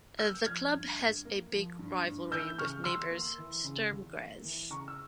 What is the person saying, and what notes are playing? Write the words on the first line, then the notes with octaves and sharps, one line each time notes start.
The club has a big rivalry with neighbours Sturm Graz.
A#3 E6 G6
F3 F6 G#6
G2
G2
A#3
F3
G2
G2
E3 E6 G6
C#3 C#6 F6
E2 C6 E6
A#3
E3
C#3
E2
A#3
E3
C#3 A#5 C#6
E6